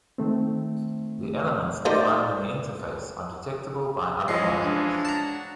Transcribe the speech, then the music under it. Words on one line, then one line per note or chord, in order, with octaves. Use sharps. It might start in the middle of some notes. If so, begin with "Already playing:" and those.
The elements defined in the interface are detectable by other modules.
D#3 A3 C4
A3 D#4 A#4 C5 D5
E3 F3 G#3 C#4 D#5
D4
F#4 A5 A#5